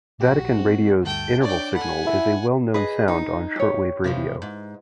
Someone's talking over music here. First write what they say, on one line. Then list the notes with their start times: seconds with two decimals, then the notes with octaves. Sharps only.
Vatican Radio's interval signal is a well-known sound on shortwave radio.
0.21 A#1 F#4 G4
0.58 G#3 C4
1.03 D2 G2 A3 G5
1.43 D4 C#5 D5 G5
1.75 A4 F#5 G#5 B5
2.06 E4
2.74 G#4 B4 D#5
3.08 D#4
3.56 G4 C#5
4.04 C3 E3 F3
4.42 G#2